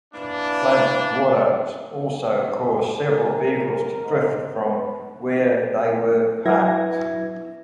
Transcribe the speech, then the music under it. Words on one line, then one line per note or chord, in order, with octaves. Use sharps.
Floodwaters also caused several vehicles to drift from where they were parked.
E3 A#3 D4
A#4
G#2
B4
F#3 E4 B4 E5 G#6 A#6